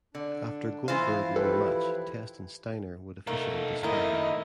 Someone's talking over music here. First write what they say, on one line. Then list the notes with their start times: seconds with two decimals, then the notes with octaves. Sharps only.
After Goldberg won the match Test and Steiner would officially disband.
0.15 D3 D4
0.88 E3 F3 E4 F4 C5 F5
1.36 G4 A4 B4
3.27 A3 A#3 D#4 A4
3.83 D#3 A3 A#3 D#4 E4 A#4 D#5